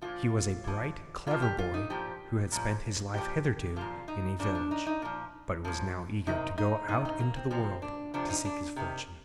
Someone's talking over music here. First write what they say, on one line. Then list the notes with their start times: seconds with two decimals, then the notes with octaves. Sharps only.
He was a bright, clever boy who had spent his life hitherto in a village, but was now eager to go out into the world to seek his fortune.
0.02 A#2 F3 F4
0.64 A#2 F3
1.27 A#2 F3 F4
1.42 G4
1.58 F4
1.74 D#4
1.90 A#2 F3 G4
2.52 A#2 F3
3.14 A#2 F3 G4
3.76 A#2 F3 F4
4.08 D#4
4.39 A#2 F3 D4
4.55 D4
4.71 D#4
4.87 D#4
5.02 A#2 F3
5.65 A#2 F3
6.27 C3 D#3 D#4
6.58 D#4
6.88 C3 D#3 D#4
7.05 D#4
7.20 A#3
7.36 C4
7.51 C3 F3 C4
7.82 D4
8.14 C3 F3 D4
8.29 D#4
8.45 D4
8.76 C3 D#3